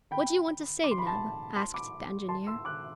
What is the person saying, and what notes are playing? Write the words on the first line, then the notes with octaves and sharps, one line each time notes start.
"What do you want to say, Neb?" asked the engineer.
G5 B5
D6
C6
B5
A5 C6
A5 C6
B5 D6
A5 C6
C6 E6
D6 F#6